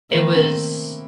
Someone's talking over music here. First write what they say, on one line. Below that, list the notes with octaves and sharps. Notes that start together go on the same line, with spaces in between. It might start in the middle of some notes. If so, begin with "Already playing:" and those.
It was
D#3 A3 B3
A#3 C4